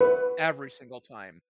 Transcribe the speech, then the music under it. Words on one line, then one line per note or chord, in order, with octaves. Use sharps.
every single time.
B4